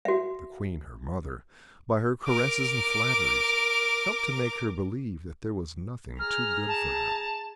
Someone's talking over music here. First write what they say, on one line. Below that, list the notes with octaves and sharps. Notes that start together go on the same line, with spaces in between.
The Queen, her mother, by her caresses and flatteries, helped to make her believe that there was nothing too good for her.
F#4 E5
A#4 D6
G#4 A#5 F6
A5